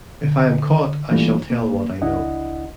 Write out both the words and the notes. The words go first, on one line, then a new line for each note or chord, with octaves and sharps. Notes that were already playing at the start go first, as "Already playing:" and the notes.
If I am caught I shall tell what I know.
D3
E3 G3 A3 A#3 D4 F4
A#3
C#2 D4 E4 D#5 F#5